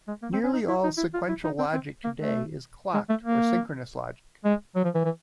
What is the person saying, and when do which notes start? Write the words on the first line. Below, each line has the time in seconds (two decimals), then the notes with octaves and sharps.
Nearly all sequential logic today is "clocked" or "synchronous" logic.
0.08 G#3
0.23 A#3
0.33 C4
0.44 C#4
0.53 D#4
0.68 E4
0.84 D#4
0.98 E4
1.14 F4
1.29 E4
1.44 D#4
1.59 C4
1.73 C4
2.04 A#3
2.19 A3
2.94 G#3
3.10 A3
3.24 A#3
4.45 G#3
4.76 F#3
4.84 F3
4.95 E3
5.05 E3